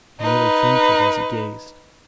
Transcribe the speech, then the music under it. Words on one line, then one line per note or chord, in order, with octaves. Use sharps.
He nearly fainted as he gazed.
D#4 B4